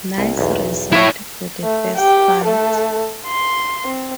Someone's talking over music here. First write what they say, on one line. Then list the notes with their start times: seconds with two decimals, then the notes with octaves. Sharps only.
Nice result for the first fight.
0.18 C2
0.38 B1 E2
0.92 E4 C#5
1.63 A3
1.96 G4 G5
2.44 A3 A4
3.27 C6
3.85 C4